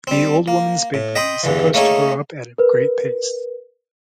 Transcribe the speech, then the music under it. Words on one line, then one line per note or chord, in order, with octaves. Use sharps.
The old woman's baby is supposed to grow up at a great pace.
G3 C4
A#3
A2
D#5 G5 B5 C6 D#6
E2 G2 D3 E3
A3 A#3 C#4 D#4 G#4
A#4 B4